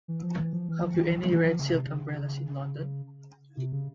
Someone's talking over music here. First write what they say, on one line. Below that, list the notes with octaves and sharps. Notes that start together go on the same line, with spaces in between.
Have you any red silk umbrellas in London?
E3
F3
E3
F3
E3
F3
E3
F3
E3
F3
C#3
C3
C#3
C3
C#3